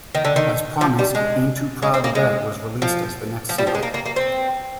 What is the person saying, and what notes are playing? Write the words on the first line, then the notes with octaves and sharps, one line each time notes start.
As promised, "Ain't Too Proud To Beg" was released as the next single.
D#3
D3
D#3
F3
G3
G#3
G#3
C4
A#3
G#3
F3
F3
G3
F3
G#3
A#3
A#3
A#3
C4